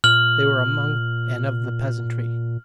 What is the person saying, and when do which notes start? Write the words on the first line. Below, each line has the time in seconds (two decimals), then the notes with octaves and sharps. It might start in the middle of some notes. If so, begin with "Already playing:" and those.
They were among and of the peasantry.
0.04 A#2 F6 F#7